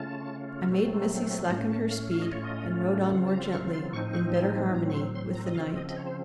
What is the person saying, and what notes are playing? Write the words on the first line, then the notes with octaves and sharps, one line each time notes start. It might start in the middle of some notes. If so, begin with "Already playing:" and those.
I made Missy slacken her speed, and rode on more gently, in better harmony with the night.
Already playing: C#3 A3 C#4 F4 A5
A#2 F#3 A3 C4
C6
A2 A3 C#4 A#5
A5
F5
F5
D#5
A2 A3 C#4 F4 C#5
D#5
C#3 F#3 C4 F4 F#5
A5
A#5
C#6
C6
A2 F3 C4 D#4 C#6
C#6
C6
A2 F#3 C4 A#5
C#6
C6
C6
A#5
D#5
C#3 F3 C4 F5
D#5
D#5
C#5
C5